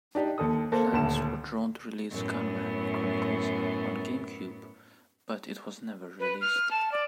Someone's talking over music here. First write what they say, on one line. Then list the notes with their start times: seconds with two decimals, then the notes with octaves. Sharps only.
Plans were drawn to release Gunman Chronicles on GameCube, but it was never released.
0.15 D4 D#4 G4
0.38 D#2 A4 D#6
0.72 A#3 A4 C5
0.93 D#1 D2 A5 E7
2.11 F#2 A2 B3
6.20 B4
6.41 F6
6.71 A5
6.92 D5